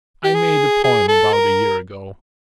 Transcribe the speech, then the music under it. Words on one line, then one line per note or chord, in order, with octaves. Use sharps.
I made a poem about a year ago.
G4
G#4
G#4
A4
A#4